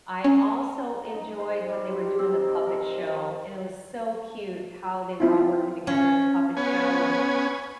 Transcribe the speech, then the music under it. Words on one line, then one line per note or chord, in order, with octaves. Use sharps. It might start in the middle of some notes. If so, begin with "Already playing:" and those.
I also enjoyed when they were doing the puppet show, and it was so cute how they were all working together in the puppet show, and
C#4
A#5
D#4
C5
G3
G4
C4
D#4
A#4
F3
C4 E4 F4
C#4
B3 C#4 G#5